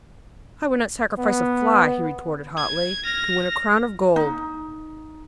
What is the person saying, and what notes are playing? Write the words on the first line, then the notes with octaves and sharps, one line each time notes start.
"I would not sacrifice a fly," he retorted hotly, "to win a crown of gold!"
B3
G#6
F6 A#6
D#4